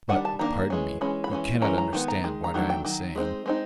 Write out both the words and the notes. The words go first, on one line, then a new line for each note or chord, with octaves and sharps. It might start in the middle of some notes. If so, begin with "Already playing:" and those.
But, pardon me, you cannot understand what I am saying.
D#3 G3 D4 F#5
A5
D#3 G3 A#3 D4 A#5
E3 G#3 C#4
E3 G#3 C#4 B5
B5
E3 G#3 C#4
E3 G#3 C#4 A#5
A#5
D#3 G#3 B3
A#5
D#3 G#3
A#5
D#3 F#3 A3 D4
G5
D#3 F#3
G#3 C4 D#4
G#3 C4 D#4